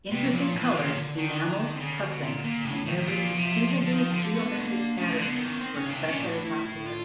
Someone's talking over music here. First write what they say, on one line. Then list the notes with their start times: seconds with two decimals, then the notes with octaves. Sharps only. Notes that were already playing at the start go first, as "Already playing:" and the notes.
Intricate coloured enamelled cufflinks in every conceivable geometric pattern were especially popular.
0.11 C3 B3
0.24 F#3
0.32 A#2 F3
0.54 A2 E3
0.75 A#2 D#3
0.86 D#3
0.96 D3
1.17 D#3
1.76 C3
1.80 C#3
2.01 B2
2.22 A#2
2.44 A#2
2.65 A2 C#3
2.85 A2 D#3
2.97 A2
3.07 A#2 F3
3.33 B2
3.38 C3
3.70 D3
3.81 D3
3.92 D#3
4.12 D3
4.34 B3
4.58 A3
4.65 A#3
4.97 C#3 A3
5.18 D3 C4
5.29 E3 B3
5.39 D#3
5.45 D4
5.53 C#4
5.60 C4
5.75 C#4
5.86 C#3
5.92 C3 D4
6.05 B2 C#4
6.14 A#2
6.23 A2 D4
6.45 E4
6.65 E4
6.87 F4